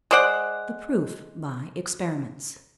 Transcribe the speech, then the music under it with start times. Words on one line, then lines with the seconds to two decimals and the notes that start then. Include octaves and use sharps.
The PROOF by Experiments.
0.11 G#3 C5 D5 F#5